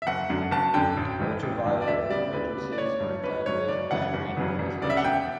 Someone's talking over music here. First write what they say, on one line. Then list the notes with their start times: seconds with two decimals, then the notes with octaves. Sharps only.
Ultraviolet divergences are dealt with by renormalization.
0.02 E5
0.07 F#1 F#5
0.30 F#2 D3
0.51 F#1 A5
0.74 F#2 D3 G5
0.97 A1
1.19 G2 E3
1.43 A1
1.65 G2 E3
1.82 D5
1.87 D2 E5
2.10 C#3 G3 B3 D5
2.33 D2 B4
2.56 C#3 G3 B3
2.72 D5
2.78 G1 C#5
3.00 G2 F#3
3.23 G1 B4
3.46 G2 F#3 C#5
3.68 F#1 D5
3.91 F#2 C#3 E3 F#5
4.14 F#1
4.37 F#2 C#3 E3
4.59 E1
4.81 D2 C#3 D5
4.90 E5
4.97 F#5
5.04 E1 G5